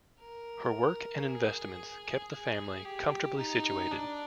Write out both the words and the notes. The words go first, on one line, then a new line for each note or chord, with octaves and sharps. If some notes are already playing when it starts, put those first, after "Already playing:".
Her work and investments kept the family comfortably situated.
A#4
G#4
G#4
G4
D#4
D4